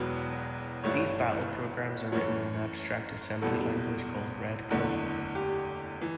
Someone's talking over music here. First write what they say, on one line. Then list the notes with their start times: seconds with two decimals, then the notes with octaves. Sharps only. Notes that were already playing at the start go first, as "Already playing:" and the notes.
These battle programs are written in an abstract assembly language called "Redcode".
Already playing: E1 E2 B2 F#3 B4
0.83 G1 G2 E3 A3 C#5
2.12 F#2 E3 A3 C#5
3.41 F#1 E2 B2 G3 A4
4.70 F#1 E2 D3 A3
5.35 G4
6.01 E3